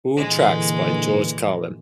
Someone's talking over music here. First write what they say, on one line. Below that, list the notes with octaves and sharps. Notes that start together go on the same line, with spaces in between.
All tracks by George Carlin.
A#2 D3 E3 G#3